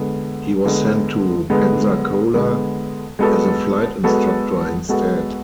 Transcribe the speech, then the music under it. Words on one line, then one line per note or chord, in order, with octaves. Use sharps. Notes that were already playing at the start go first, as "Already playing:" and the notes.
He was sent to Pensacola as a flight instructor instead.
Already playing: D3 G#3 B3
D3 G#3 B3
D3 G#3 B3
D3 G#3 B3
G#3 B3 F#4 A4
G#3 B3 F#4 A4
G#3 B3 F#4 A4